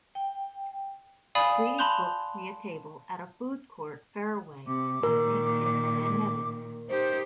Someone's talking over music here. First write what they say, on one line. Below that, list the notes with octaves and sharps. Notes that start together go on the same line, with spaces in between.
Please book me a table at a food court faraway from Saint Kitts and Nevis.
G5
D5 F5 G#5 B5 D#6
A5 B5 C6 F#6 G6 F7
C3 D6
A#2 D#3 A#4
D#4 G4 C5